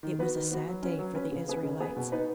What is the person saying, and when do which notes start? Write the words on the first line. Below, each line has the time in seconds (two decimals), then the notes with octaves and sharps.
It was a sad day for the Israelites.
0.03 D#3
0.19 B3 F#4 B4
0.35 D#3
0.51 B3 F#4 B4
0.68 F#3
0.83 C#4 B4
0.99 F#3
1.15 C#4 B4
1.32 C#3
1.48 B3 G#4 B4
1.63 C#3
1.80 B3 G#4 B4
1.96 B2
2.12 B3 D#4 B4